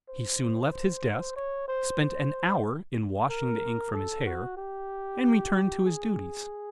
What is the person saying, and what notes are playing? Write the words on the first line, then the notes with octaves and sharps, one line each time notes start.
He soon left his desk, spent an hour in washing the ink from his hair, and returned to his duties.
C5
C5
C#5
C5
C5
A#4
A4
F#4
G4
G#4